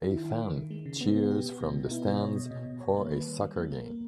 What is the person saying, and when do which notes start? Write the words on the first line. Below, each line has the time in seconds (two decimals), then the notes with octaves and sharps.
A fan cheers from the stands for a soccer game.
0.02 D#4
0.11 D#3 E4
0.25 D#3
0.41 D#3
0.56 D#3
0.71 G#3
0.86 C#3
1.01 B3
1.16 B3
1.31 B2 G4
1.46 B3
1.61 B2
1.76 B2
1.85 D#4
1.91 B3 E4
2.06 B2 G#4
2.16 D#5
2.21 B2 C#5
2.36 B2 D#5
2.51 B2 D#5
2.66 B2
2.80 B2 C#5
2.96 A#3 C#5
3.11 D#3 B4
3.26 G3
3.41 G3
3.56 A#3
3.71 A#3 A#4
3.87 A#3